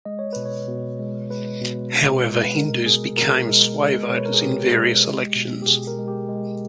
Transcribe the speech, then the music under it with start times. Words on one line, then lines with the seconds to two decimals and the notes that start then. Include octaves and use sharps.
However, Hindus became sway voters in various elections.
0.05 G#3 D#5
0.19 C#5
0.33 B2 B4
0.46 C#5
0.68 B2
0.99 G#3
1.30 G#3 B4
1.61 B2
1.92 B2
2.24 G#3
2.44 B4
2.55 G#3 A#4
2.86 B2 G#4
3.17 B2 A#4
3.49 G#3
3.79 G#3
4.08 B2 C#5
4.17 B4
4.26 A#4
4.34 G#4
4.42 B2 G4
4.73 G#3
5.04 G#3
5.35 B2
5.62 G4
5.67 B2 G#4
5.87 A#4
5.98 G#3
6.08 G4
6.29 G#3